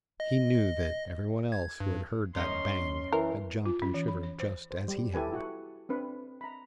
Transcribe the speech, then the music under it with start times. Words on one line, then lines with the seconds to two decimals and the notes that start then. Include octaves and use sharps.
He knew that every one else who had heard that bang had jumped and shivered just as he had.
0.20 D#5
1.52 G#6
1.80 G2
2.35 F#2 C#4 D#5 C6
3.12 E3 A#4
3.66 F4
3.82 C#4
3.94 E3
4.08 B5
4.23 C#5
4.40 C5
4.71 C5
4.88 G3
5.14 E4 G4 A4 B4 G#5
5.32 E4 F#4 F#5
5.89 C4 D4 B4
6.41 A#5 B5